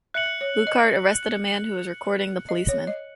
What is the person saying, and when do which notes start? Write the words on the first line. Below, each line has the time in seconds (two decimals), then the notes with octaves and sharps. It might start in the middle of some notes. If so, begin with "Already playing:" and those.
Lukart arrested a man who was recording the policeman.
0.14 E5 F#6 C#7 F#7
0.41 C#5
0.67 D#5
2.49 D#5
2.68 C#5
2.87 D#5